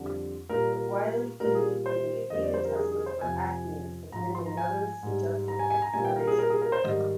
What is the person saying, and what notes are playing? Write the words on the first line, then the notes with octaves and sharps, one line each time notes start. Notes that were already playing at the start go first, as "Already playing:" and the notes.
Wile E. being a "beta tester" for Acme has been another suggested explanation.
Already playing: F2 D3 G3
A#2 G3 A#4
A#4
A#2 G3 A#4
G#4
C5
F2 D3 G3 D#5
D5
C5
A#4
G#4
G#4
C5
F2 C3 F3 G#5
G#2 F3 A#5
C6
A#5
G#5
G#2 G3
A#5
G#5
G#5
A#5
A#2 G3 G#5
G5
A#4
G#4
A#4
G#4
A#4
C5
G#2 D#3 G3 D#5